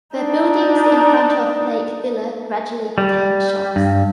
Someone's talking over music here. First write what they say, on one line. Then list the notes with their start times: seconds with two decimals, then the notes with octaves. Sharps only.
The buildings in front of Lake Villa gradually became shops.
0.16 D4 D#4
2.98 G3
3.76 G2